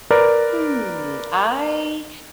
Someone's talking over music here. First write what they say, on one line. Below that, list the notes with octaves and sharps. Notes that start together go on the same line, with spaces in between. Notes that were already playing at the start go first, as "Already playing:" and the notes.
Hmm, I
A#4 B4 D5